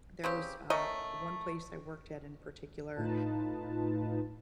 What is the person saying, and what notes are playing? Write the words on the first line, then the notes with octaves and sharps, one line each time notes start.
there was, uh, one place I worked at in particular,
C#3 C4 G4
A3 C#4 A#4 D#5
A2 D#4 F4 B4 A5